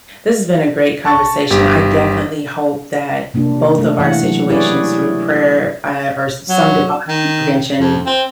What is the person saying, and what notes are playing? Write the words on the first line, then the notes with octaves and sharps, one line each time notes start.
This has been a great conversation, I definitely hope that both of our situations through prayer, a or some divine intervention
A5 C#6 A6
G1 G4
C3 A#3 D4 F4
A3 A#4
E3 F#5
F#3
E4 G4 G#4 B4 C#5 D5
F#3
D#3
F2
C4